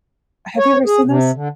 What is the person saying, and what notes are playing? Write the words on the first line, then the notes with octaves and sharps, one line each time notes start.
Have you ever seen those?
C#5
G#4
C3
D3